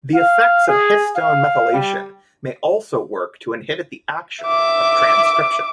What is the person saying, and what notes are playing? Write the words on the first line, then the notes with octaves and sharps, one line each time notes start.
The effects of histone methylation may also work to inhibit the action of transcription.
F5
G#4
F5
G3
E5 D6